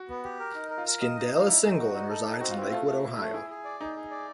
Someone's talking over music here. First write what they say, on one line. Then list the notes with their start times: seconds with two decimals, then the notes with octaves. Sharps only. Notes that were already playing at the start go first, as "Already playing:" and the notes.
Skindell is single and resides in Lakewood, Ohio.
Already playing: F#4
0.09 B3
0.24 G4
0.40 A#4
0.55 D#4
0.70 A#4
0.78 F4
0.86 A#4
1.01 F4 D#5
1.17 D#4
1.32 D#4
1.41 F4
1.48 D#4 E4
1.63 D#4
1.78 F#4
1.94 D#4
2.09 A4
2.25 D#4
2.41 C4 F#4
2.51 F4
2.56 C4
2.62 E4
2.72 A3 F4
2.87 A3
3.03 E4
3.18 A3
3.34 E4 G#4
3.50 G#4
3.65 D5
3.80 D#4 G#4
3.96 G#4
4.11 D5